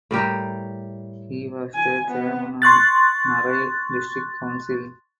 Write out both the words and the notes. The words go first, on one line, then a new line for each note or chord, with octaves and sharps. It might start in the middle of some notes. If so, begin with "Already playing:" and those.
He was the chairman of Narail district council.
A2 G3 G4 A#4
G#5
B3
C6 C#6 F#6 A6